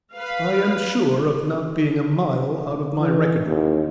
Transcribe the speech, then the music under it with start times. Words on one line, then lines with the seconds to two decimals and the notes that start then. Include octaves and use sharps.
"I am sure of not being a mile out of my reckoning."
0.14 B4 F5
3.00 E3
3.47 D#2